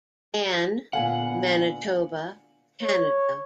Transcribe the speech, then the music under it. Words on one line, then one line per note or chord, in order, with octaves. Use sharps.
Anne, Manitoba, Canada.
A#2 D3 B3 F5 F#5 G#5
C#5